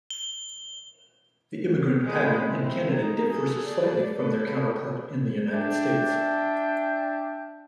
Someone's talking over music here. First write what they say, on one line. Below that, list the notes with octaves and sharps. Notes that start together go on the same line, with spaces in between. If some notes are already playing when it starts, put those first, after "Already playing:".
The immigrant pattern in Canada differs slightly from their counterpart in the United States.
G7
G#3 B5
C4 E4
D#4 A#5
G#4 A4
D5
A4 B4
D4 E5 G5